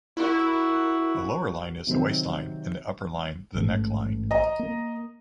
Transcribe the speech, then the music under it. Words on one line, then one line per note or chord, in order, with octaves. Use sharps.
The lower line is the waistline and the upper line the neckline.
E4 F#4 A#4
C3 D#3 F#3 C4
A1 G#2 A3
D#5 A#5
A#3